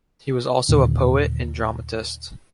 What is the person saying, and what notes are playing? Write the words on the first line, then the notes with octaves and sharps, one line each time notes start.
He was also a poet and dramatist.
D#2 A#2 D3